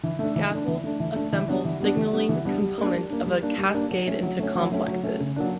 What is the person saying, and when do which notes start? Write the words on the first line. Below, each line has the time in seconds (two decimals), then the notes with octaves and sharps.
Scaffolds assemble signaling components of a cascade into complexes.
0.03 E3
0.19 A3 D4
0.36 E3
0.51 A3 D4
0.68 E3
0.84 A3 D4
1.00 E3
1.16 A3 D4
1.33 E3
1.48 G3 B3 D4
1.65 E3
1.80 G3 B3 D4
1.97 E3
2.13 G3 B3 D4
2.29 E3
2.45 G3 B3 D4
2.61 G3
2.78 A#3 D4
2.93 G3
3.10 A#3 D4
3.26 G3
3.42 A#3 D4
3.58 G3
3.74 A#3 D4
3.91 F#3
4.07 A3 C#4
4.23 F#3
4.39 A3 C#4
4.55 F#3
4.72 A3 C#4
4.88 F#3
5.03 A3 C#4
5.20 C#3
5.36 F#3 A#3 D4